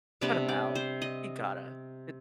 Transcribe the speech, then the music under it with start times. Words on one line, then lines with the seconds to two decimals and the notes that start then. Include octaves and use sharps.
cut 'em out. You gotta. It
0.21 C3 G3 B3 D4 B4
0.49 D5
0.75 C5
1.02 D#5